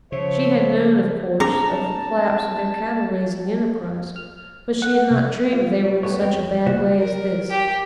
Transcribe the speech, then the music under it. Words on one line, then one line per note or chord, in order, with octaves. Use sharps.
She had known, of course, of the collapse of their cattle-raising enterprise, but she had not dreamed they were in such a bad way as this.
C#3 F3 C5 C#5 E5
C4 D4 G#4 A5 A#5 D6
F6
F#5
C3
F4
G3 A3 B3 C#5
E2 G3 C4 C#5 G5
C#2 C#3 A#3 F#4 C5 F#5
A#4
G4